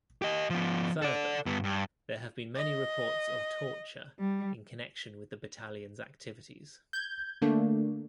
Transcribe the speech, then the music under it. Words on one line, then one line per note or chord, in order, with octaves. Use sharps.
Further, there have been many reports of torture in connection with the battalion's activities.
G4 D#5
F3 B3
A4 D5
G2 B3
G2
D#5
G3
G6 G#6
D3 A3 A#3 D4